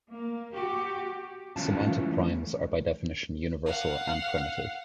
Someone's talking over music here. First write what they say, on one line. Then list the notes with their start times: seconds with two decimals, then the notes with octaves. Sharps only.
Semantic primes are by definition universal and primitive.
0.10 A#3
0.52 F#4 G4
1.56 D#2 D#3 F3 C#4 F4 A5
1.86 F#2 E3 A3 C#4
3.66 F5 F#5